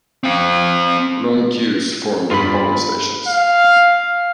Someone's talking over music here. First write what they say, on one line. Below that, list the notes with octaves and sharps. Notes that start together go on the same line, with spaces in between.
Long queues formed at polling stations.
C4 F5
G2 F4 B5
F5